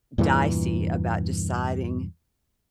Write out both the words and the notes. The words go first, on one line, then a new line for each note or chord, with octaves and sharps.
dicey about deciding
E2 G2 A#2 E3